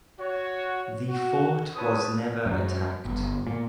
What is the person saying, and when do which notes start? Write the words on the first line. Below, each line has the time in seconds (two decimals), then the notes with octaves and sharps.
The fort was never attacked.
0.19 F#4 C#5
1.09 F#4
1.75 C4 E4 B4 C#5 A5 D#6
2.46 F#2
3.05 G1
3.47 A#2